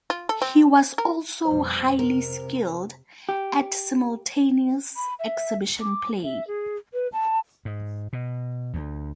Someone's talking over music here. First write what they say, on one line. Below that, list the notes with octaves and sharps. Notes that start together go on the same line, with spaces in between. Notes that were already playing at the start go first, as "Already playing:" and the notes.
He was also highly skilled at simultaneous exhibition play.
F4
A4
C4
A#4
F2 B2 G3 C5
C3 A#4
G4
B5
E5
D6
E5
G#4
B4
A5
G#2
B2
D2